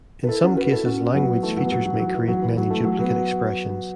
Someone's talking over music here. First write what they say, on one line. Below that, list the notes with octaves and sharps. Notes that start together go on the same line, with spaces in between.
In some cases language features may create many duplicate expressions.
B4
E4 A4
C#4 F#4
F#4 B4
E4 A4
C#4 F#4
F#3 B3
E3 A3
F#3 B3
F#3
F#3
E3
F#3
E3
F#3
E3
F#3
E3 A3
F#3
F#3 B3